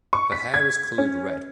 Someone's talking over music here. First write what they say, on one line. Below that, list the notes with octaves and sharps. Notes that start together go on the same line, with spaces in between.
Her hair is colored red.
C#6
B6
G#6
C#4